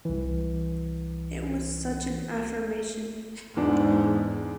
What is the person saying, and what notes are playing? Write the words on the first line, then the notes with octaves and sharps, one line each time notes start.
It was such an affirmation.
C2 E3
E2 G#2 D4